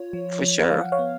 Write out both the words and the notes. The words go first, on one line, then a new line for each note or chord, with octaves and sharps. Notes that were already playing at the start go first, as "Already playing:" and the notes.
for sure.
Already playing: F4 C#5
F3
F3
F3 F5
F#5
C#5 F5
B3